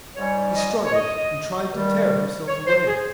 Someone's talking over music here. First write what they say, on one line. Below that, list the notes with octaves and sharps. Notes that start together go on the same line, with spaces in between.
He struggled, and tried to tear himself away.
G#2 G3 C#4 C#5
D#5
C#5
D#5
G2 D#3 G3
C#5
C5
G#4